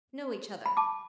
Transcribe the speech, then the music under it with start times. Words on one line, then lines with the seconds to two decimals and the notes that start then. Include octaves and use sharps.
Know each other.'
0.66 B5
0.77 A5 D6